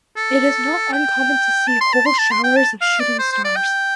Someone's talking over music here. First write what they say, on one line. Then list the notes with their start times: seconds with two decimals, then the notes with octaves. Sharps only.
It is not uncommon to see whole showers of shooting stars.
0.17 A4
0.92 G5
1.67 A5
1.81 C6
1.93 A5
2.06 C6
2.18 A5
2.31 C6
2.44 G5
2.56 A5
2.81 F5
3.00 D5
3.19 C5
3.32 C5
3.44 D5
3.56 G5